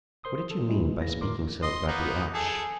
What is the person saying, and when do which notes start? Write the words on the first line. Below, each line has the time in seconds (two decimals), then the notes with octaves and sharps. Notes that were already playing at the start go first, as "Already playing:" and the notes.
"What did you mean by speaking so about the Ash?"
0.24 A#4 C5 C6 D#6
0.51 A4
0.69 G3 G#3 C#4 D#4 E4 F#4
0.83 B2 D#3 E3 G#3
1.00 D2 E3 A#3 G#4 A#6
1.21 D2 A2 A#4 C6 D6
1.63 D#5 C6
1.88 A#3 B3 D#4
2.34 G#4 A4